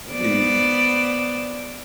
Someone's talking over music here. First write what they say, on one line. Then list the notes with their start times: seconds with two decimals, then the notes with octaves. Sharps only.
It'd be
0.12 B3 C5 D5